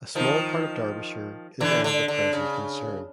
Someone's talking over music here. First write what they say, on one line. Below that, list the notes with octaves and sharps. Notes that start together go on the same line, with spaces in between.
A small part of Derbyshire is all the present concern.
D#3 F3
D3 E3
D3
D3
C#3